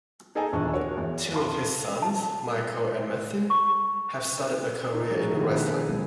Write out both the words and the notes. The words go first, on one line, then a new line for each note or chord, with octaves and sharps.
Two of his sons, Michael and Matthew have started a career in wrestling.
D#4 G#4 A4 D#5 G#5 A#5
D#1 A#1 E2 D4 F4 C#6
F#4 A#4 C#5
E2
F5 A5 B5 C6
A5
C#6
D#4 A4
F3 G3 D4 F#4 G#4 A#4
B2 D#3 D#4 F4 G4
D4 E4 A4 B4 C5
A#3 G#4 A4
B2 F#3 G#3 B3 C4